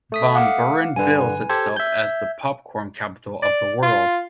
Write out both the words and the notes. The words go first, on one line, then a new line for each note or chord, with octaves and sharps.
Van Buren bills itself as the Popcorn Capitol of the World.
A3 D#6 B6
F5 F#5 D6
G2 D3 B4 G#5
G4 A4 C5 G#6
E5 G6
D5
F4